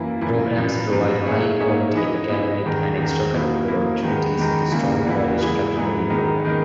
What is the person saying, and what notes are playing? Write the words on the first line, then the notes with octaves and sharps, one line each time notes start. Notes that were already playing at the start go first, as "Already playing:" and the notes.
Programs provide high-quality academic and extracurricular opportunities with a strong college preparatory program.
Already playing: F#2 E3 A#3 E4
F#2 E3 A#3 E4
F#2 E3 B3
F#2 E3 B3
A#3 D#4 G#4 C#5 E5
A#3 D#4 G#4 C#5 E5
E3 B3 E4 B4 D#5
E3 B3 E4 B4 D#5
E2 D#3 G#3
E2 D#3 G#3
B2 F#3 A#3 E4
B2 F#3 A#3 E4
E2 D#3 G#3 B3
E2 D#3 G#3 B3
E2 C#3 E3 A#3 E4
E2 C#3 E3 A#3 E4
G#2 E3 B3 E4 G#4
G#2 E3 B3 E4 G#4
D#3 G#3 B3 D#4 A#4
D#3 G#3 B3 D#4 A#4